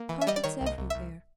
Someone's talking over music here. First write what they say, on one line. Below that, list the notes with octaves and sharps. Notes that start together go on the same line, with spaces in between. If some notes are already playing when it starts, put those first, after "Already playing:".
Carpets everywhere.
Already playing: A#3
E3
E5
G3 D#5
D5
D#3 C#5
C2
D#5
C2
C2 E5